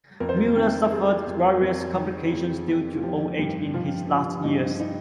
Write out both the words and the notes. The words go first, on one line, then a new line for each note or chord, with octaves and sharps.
Miller suffered various complications due to old age in his last years.
F2 A#4
C5
A#4
D#3 C4
G3 G#4
F2
F2
D#3
F2
F2
F4
F3 G4
G2 G4
F3 F4
F3
G2 D#4
D#4